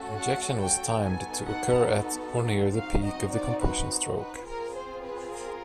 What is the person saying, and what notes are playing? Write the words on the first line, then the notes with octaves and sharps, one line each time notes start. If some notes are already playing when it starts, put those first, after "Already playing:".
Injection was timed to occur at or near the peak of the compression stroke.
Already playing: A3 C#4 F#4 A4
F#5
G5
B3 D#4 F#4 A4 G#5
F#5
C4 D#4 F#4 F5
D#5
D5
B4
B4
C4 F4 G#4 A#4
C5
B4
A#4